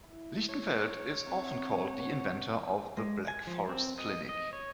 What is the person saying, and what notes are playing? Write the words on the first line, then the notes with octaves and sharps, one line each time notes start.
Lichtenfeld is often called the inventor of "The Black Forest Clinic".
E4
A4 C#5
F#3 C4 A4 E5
C5 F#5
G#3
G#5
F3
C4
D#5
D#5
C#5